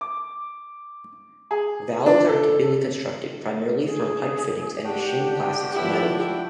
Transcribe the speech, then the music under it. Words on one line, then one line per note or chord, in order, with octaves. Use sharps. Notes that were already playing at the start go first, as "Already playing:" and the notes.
Valves are typically constructed primarily from pipe fittings and machined plastics or metals.
D6
G#4
D4
A4
G#4
D4 F#4 G4 G5
F3 E4